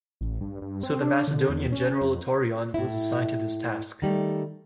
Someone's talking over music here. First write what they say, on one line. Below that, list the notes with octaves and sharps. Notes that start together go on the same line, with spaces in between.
So the Macedonian general Taurion was assigned to this task.
A1
G2
G2
C4
D4
D3
E2
C#4
F2
A2 E4
D#3 G3 A3